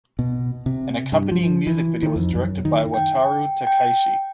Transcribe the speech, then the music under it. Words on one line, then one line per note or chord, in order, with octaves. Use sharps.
An accompanying music video was directed by Wataru Takeishi.
B2
C3
G2
F3
E3
D#3
F2
F#2
D#3
G5
G5